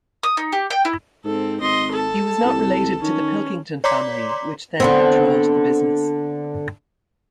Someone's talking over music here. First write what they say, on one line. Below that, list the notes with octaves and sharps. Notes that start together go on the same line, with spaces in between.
He was not related to the Pilkington family which then controlled the business.
D#6
D#4
G4
G5
E4
G#2 C4 A4
G#1 D#5 C6
A4 A5
C2
D#3 C#4
C#5 D5 A#5 C6 D6 B6
D3 B3 C4